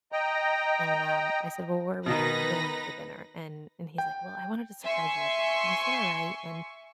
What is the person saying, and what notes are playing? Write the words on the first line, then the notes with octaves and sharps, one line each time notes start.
and, um, I said, "Well, where are we going for dinner?" And and he's like, "Well, I wanted to surprise you with that," and I said, "All right," and,
D#5 G5 A#5
B2 D#3 D#4 B4 A#6
G5
E5 G#5 C6 C#6